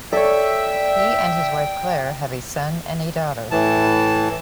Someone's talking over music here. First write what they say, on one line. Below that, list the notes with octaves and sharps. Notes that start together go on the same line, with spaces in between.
He and his wife Clare have a son and a daughter.
A4 C#5 D5 E5 G5
A2 E3 A5